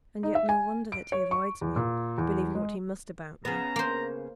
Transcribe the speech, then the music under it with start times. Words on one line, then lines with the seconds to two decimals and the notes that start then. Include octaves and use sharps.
And yet no wonder that he avoids me, believing what he must about me.'
0.23 D#4
0.35 E5
0.49 G#5
0.92 D7
1.12 C#5
1.31 C#6
1.61 E2
1.76 A#2
2.18 E2
2.55 G#3
3.45 C#3 B3 A#5
3.76 A#3 C5